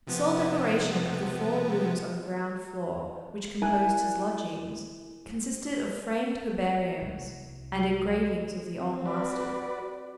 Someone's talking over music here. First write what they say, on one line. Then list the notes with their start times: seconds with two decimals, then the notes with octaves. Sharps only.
The sole decoration of the four rooms on the ground floor, which composed his lodgings, consisted of framed herbariums, and engravings of the old masters.
0.07 C3 F3 B3
3.62 E4 A#4 G#5 F#6
7.00 C2 C3
8.79 C4
9.06 F#4 B4 D5